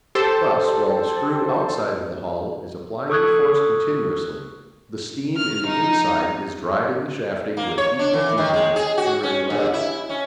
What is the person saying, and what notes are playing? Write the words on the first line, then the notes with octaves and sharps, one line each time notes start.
Thus, while the screw outside of the hull is applying the force continuously, the steam in the inside is driving the shafting with equal evenness and regularity.
G4 A4 C5 A5
A4 C#6 D#6 F#6 G#6
F6
D#4
A#3
C#5
D4
E3
D#3
G#3
G#4
F#4
C#4
G2
E4
C#4